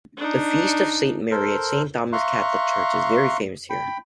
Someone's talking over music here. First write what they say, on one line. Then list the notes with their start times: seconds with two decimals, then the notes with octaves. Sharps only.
The Feast of Saint Mary at Saint Thomas Catholic Church is very famous here.
0.17 D4 D#4
1.31 A4 A#4 C5
2.13 E5 F5 A#5 C6 C#6 F#6
3.70 G5 B5